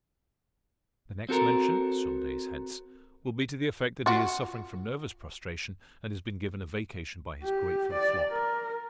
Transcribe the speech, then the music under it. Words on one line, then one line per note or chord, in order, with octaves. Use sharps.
The next mention, some days hence, will be to the effect that he is suffering from nervous prostration and has been given a vacation by his grateful flock.
C4 F#4 A4 A#4
F4 F#4
G4
D5
A#4